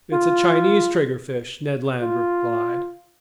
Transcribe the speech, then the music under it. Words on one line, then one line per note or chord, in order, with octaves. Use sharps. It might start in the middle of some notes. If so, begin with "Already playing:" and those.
"It's a Chinese triggerfish," Ned Land replied.
F4
F4